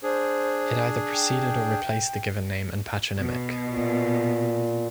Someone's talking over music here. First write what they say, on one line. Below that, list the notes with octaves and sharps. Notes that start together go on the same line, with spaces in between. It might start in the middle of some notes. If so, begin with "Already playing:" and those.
It either preceded or replaced the given name and patronymic.
D4 G#4 C5
G5
B2
A#2